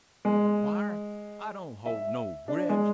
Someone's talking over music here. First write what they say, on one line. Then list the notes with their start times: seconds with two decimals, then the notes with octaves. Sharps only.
Squire, I don't hold no gredge.
0.25 G#3
1.86 E5
2.48 D4
2.69 G#3